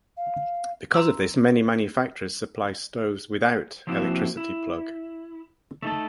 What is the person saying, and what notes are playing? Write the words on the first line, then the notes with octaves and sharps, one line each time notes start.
Because of this many manufacturers supply stoves without electricity plug.
F5
A#5 C6 E6
F3 A#3 C4 E4 F#4
E4
A3 D#4 A4